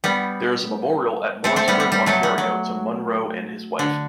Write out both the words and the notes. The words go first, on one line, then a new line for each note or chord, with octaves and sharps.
There is a memorial at Morrisburg, Ontario to Munro and his wife.
G3 B3
A3 C4
A3 C4
G3 B3
G3
G3
F#3 A3
G3
F#3
D3